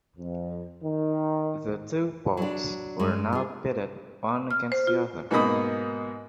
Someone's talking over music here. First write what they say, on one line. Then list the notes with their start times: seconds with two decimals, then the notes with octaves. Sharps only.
The two Popes were now pitted one against the other.
0.18 F2
0.83 D#3
2.37 F#3 D4
2.99 G2 G#3
3.33 F4 G#4
4.51 F6
4.72 C5
4.87 F4
5.31 G#2 B2 A#3 D#4 B5 D#6